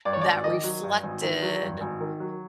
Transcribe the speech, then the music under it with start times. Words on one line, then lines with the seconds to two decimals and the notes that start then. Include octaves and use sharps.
that reflected
0.05 G2 D5
0.13 C#5
0.21 G#1 D5
0.44 D#3 D#5
0.64 F#3
0.84 G2
1.03 G#1
1.22 D#3
1.42 F#3
1.62 G2
1.81 G#1
2.01 D#3
2.20 F#3